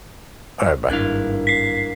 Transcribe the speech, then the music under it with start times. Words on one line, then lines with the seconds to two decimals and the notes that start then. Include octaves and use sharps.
Alright, bye.
0.90 G#1 G2 A#3 D4 E4 F5
1.47 B6 C7